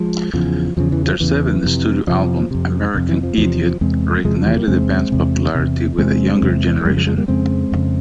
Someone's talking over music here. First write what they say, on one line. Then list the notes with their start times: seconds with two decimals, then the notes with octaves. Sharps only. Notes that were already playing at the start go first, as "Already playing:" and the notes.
Their seventh studio album "American Idiot" reignited the band's popularity with a younger generation.
Already playing: F3 G#3
0.33 E2 C#3 F3
0.77 E2 C#3 F3
0.92 E3
1.06 F3
1.20 E2 C#3 E3
1.64 F2 C3
2.07 F2 C3 F3
2.51 F2 C3
2.94 F2 C3
3.09 E3
3.23 F3
3.38 E2 C3 F3
3.81 E2 C3 G#3 C4
4.24 E2 C3 F3 G#3
4.36 F3
4.46 E3 G3
4.57 G3 A#3
4.67 E2 C3 G#3 C4
5.12 E2 C3
5.55 E2 C3
5.98 E2 C3 G#3 C4
6.42 E2 C3
6.81 G#3
6.85 F2 C#3 G3 A#3
6.96 F3 G#3
7.07 F3 G#3
7.17 G3 A#3
7.28 F2 C#3 G#3 C4
7.72 F2 C#3